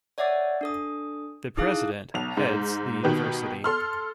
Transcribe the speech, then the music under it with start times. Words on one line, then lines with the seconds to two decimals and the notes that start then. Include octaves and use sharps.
The president heads the University.
0.18 C#5 D5 E5 F#5 D6 A6
0.61 D4 A4 D#6
1.57 D#4 E4 G#4 F5 D#6 F#6
2.14 B1 F7
2.37 G#2
3.03 B2 D#3 G4 B4
3.64 A4 C6 F6